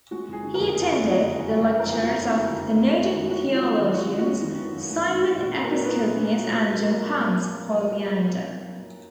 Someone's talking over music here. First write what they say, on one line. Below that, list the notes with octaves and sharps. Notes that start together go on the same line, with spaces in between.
He attended the lectures of the noted theologians, Simon Episcopius and Johannes Polyander.
G#3 F#4
F#1 G#4
D3
A#4
F2
G#3 G#4
F#1 F#4
F4
D3 F#4
F2
G#3
F#1
D3
A#4
F2 G#4
G#3 F#4
F#1
D3
F2
B3
F#2
G#3
D#3
B3 F#4
F#2
F#4
G#3 F4
D#3
B3 F#4
F#2 F4
F#4
G#3
D#3
B3
F#2
G#3
D#3
F4 F#4
A#2
F#4
D4 G#4
A#4
F#3
F4 B4
A#2
D4
F#3
F4
A#2